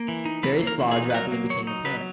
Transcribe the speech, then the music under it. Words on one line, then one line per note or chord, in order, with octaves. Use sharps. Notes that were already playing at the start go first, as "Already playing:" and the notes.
Various flaws rapidly became apparent.
Already playing: A#3
E3
D#4
E3 B4
A#3
A#4
E3
G#4
D#4
B4
F#3 A#4
A#3
F#3 C#5
D#4
F#3 B4